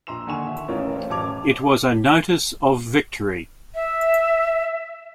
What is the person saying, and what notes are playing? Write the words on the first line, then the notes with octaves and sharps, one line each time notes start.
It was a notice of victory.
A#1 A#5 C6 E6 E7
D#2 D3 F#5 G#5 C#6 E7
E5
A1 A2 C#4 F4 A#4 C#5
A3 C5 C#5
A1 F#2 A5 D6 G#6 F7
E5